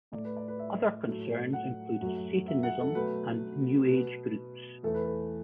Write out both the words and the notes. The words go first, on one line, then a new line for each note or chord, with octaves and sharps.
Other concerns included Satanism and New Age groups.
A2 A3 D5
B4
D5
B4
E5
A2 F#3 A3
F#5
F#2 F#3 A3
E5
F#5
A4
B2 F#3 A3 B4
B2 B3
E2 E3 A3 A4
B4
A4